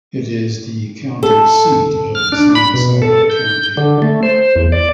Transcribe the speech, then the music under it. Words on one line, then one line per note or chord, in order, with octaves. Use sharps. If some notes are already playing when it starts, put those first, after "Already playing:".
It is the county seat of San Saba County.
A4
F6
D4
B5
B2
A4
G6
D3
A3
C5
E2
D5